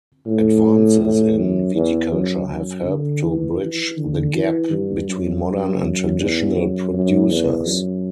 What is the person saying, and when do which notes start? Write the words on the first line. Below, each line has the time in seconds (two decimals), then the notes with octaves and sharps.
Advances in viticulture have helped to bridge the gap between modern and traditional producers.
0.26 A2
1.01 A2
1.38 F#2
1.75 E2
2.12 F#2
2.48 F#2
2.86 D3
3.23 E3
3.60 E3
3.97 D3
4.34 E3
4.71 G2
5.08 F#2
6.19 E2
6.56 F#2
6.93 F#2
7.31 E2
7.67 F#2